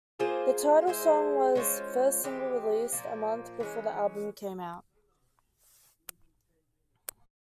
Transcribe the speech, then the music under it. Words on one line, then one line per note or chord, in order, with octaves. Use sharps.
The title song was first single, released a month before the album came out.
A#3 F4 G#4 C5
G#3 E4 G#4 C5
G#3 C#4 F4 C5
E3 G#3 C4 G4
A#2 F3 A#3
E3 G#3 C#4